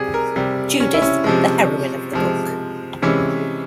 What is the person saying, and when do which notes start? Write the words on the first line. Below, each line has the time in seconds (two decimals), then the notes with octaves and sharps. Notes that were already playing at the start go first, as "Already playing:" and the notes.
Judith, the heroine of the book.
Already playing: C3 G3 G#4
0.14 A#4
0.36 C3 G3
0.80 C#4
0.94 E4
1.02 C#4
1.24 C3 F3 G#3
2.13 C3 F3 G#3
3.02 C3 E3 G#3 C#4